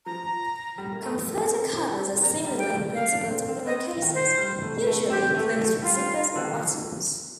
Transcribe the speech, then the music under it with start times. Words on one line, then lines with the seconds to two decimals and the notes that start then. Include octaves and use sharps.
Comforter covers are similar in principle to pillowcases, usually closed with zippers or buttons.
0.06 F3 A#5
0.78 G3
0.93 A#3
1.02 A3
1.27 A#3
1.50 C4
1.74 C4
1.98 C4
2.15 C4
2.22 A#3 A#5
2.46 G3
2.58 G5
2.65 A#3
2.70 A3
2.94 A#3 F5
3.12 D4
3.30 C4
3.48 C4
3.66 C4 D#5
4.02 D#3
4.14 C5
4.38 G3
4.62 A3
4.87 A3
5.10 C4 G4
5.35 A3
5.58 A3
5.82 G3 F4
6.36 D3
6.44 D#3
6.55 F3